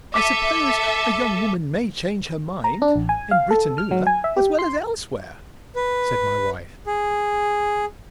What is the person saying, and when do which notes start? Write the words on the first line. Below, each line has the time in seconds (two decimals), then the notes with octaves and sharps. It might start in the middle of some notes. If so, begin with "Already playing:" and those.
"I suppose a young woman may change her mind in Britannula as well as elsewhere," said my wife.
0.14 A4 E5 D6 B6 D#7
2.64 A#5
2.82 D4
2.96 A1
3.09 G#5
3.31 F5
3.51 A4
3.78 F6
3.91 F#3
4.07 G#5
4.24 E5
4.37 G4
4.59 C6
5.76 B4
6.87 G#4